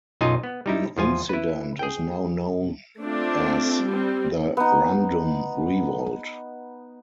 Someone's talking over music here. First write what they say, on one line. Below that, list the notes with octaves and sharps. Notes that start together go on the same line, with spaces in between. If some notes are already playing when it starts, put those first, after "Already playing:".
The incident is now known as the Rundum Revolt.
B1 F#2 D#4 F4 D#5 G#5
B3
G3 D#4 E4
E2 F3 F4 G#5
E4 B4
G#4 G5
A3 C4 D4 F4
G3 C4
B3 D#4